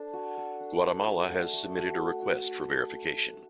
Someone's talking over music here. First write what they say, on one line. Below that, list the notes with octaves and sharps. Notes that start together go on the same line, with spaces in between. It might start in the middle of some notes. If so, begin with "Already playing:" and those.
Guatemala has submitted a request for verification.
Already playing: D4 A4 C5
F#4
A4
D4
F#4
F#4
A3
A3
F#4
A3
F#4